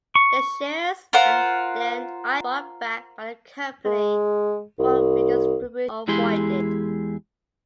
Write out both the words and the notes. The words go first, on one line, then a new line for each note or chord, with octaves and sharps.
The shares are then either bought back by the company for redistribution or voided.
C#6
F4 A#4 C5 F#5
G#3
C2
E2 G#3 E4 G4 G#4 C6